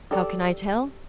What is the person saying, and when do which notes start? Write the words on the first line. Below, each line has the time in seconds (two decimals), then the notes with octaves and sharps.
How can I tell?
0.11 G4 A4 D5